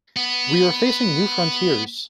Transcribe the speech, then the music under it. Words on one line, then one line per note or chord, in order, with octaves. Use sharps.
We are facing new frontiers.
B3